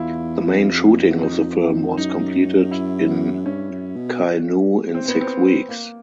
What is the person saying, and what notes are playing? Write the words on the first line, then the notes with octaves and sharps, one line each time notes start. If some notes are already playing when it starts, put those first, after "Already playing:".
The main shooting of the film was completed in Kainuu in six weeks.
Already playing: E2 E4 F4
F2
D#4
F#2 D#4
E4
G2 C#4
F#2
B2
C4
B3
C4
A#3